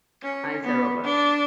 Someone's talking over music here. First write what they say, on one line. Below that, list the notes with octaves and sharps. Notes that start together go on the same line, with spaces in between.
Eyes are ovate.
C#4
B3
D4